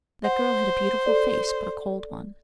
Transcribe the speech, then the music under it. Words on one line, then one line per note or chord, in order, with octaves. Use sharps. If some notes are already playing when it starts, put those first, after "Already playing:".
That girl had a beautiful face but a cold one.
C5 F#5
A4 D5